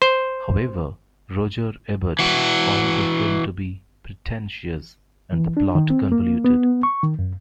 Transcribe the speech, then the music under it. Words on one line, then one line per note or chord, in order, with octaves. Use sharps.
However, Roger Ebert found the film to be pretentious and the plot convoluted.
C5
E3 F#4
E3
D4
D#3
C4
A#3
B3
C#6
D#3
F#2